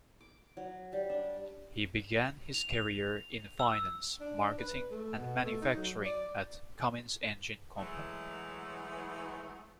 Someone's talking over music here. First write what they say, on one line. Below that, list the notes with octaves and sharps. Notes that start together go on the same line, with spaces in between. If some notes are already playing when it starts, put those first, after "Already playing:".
He began his career in finance, marketing, and manufacturing at Cummins Engine Company.
D6
F#3
G3
D4
F7
E6
D4
B4
A3
B2
A3
D#4
F#3
D5
E3 F#3 G#3 A3